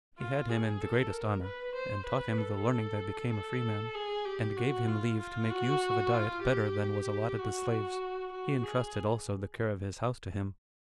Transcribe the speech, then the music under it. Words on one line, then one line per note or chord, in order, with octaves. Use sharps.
He had him in the greatest honor, and taught him the learning that became a free man, and gave him leave to make use of a diet better than was allotted to slaves. He intrusted also the care of his house to him.
F4
G#4
A4
A#4
B4
C5
B4
A4
A4
G#4
G4
F#4
F4
F4
F#4
F4
G4
F#4
F#4
G#4